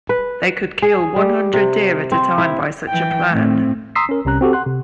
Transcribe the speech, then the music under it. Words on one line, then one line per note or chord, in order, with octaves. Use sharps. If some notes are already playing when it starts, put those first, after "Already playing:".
They could kill one hundred deer at a time by such a plan.
B4
G#4
G3
C3
C4
E4
E3 G5
A2 C4
A#5 C6 D#6 E6 B6 C7
C#4 A#4
C2 C3 C#4 A#5 F#6
C4 F#4 G4 A4
F#5 C6 F#6
C3